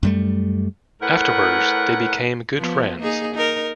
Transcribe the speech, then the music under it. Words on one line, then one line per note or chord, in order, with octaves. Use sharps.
Afterwards they became good friends.
F#2 G3 A3
A2 A#4 B4 F#5
F3 B3
A#3 D#4 G#4
D#4 A#4